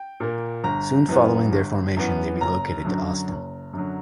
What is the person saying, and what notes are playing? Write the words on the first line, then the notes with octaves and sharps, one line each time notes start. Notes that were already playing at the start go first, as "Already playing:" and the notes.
Soon following their formation they relocated to Austin.
Already playing: G5
A#2 A#3
G1 A#5
F#2 E3 B3
G1
F#2 E3 B3
F#1 A#5
F#2 D3 F#3
F#1
F#2 D3 F#3